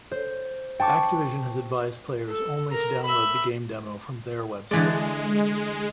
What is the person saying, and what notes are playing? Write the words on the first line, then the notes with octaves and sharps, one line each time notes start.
Activision has advised players only to download the game demo from their website.
C5
G5 A5 C#6 D6
A4
A#4 A#5
E5 B5
D3 E3 G#3 D5